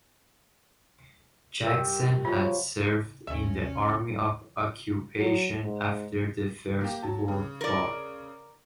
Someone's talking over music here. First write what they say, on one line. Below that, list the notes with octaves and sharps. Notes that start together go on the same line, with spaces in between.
Jackson had served in the Army of Occupation after the First World War.
G2 A#4 G5
F3 F#3 F4
A#1 D#2 C#3 C#4 E5
F#3
G#2
A#3 G4
F#3 A5
C#3
A#4 D5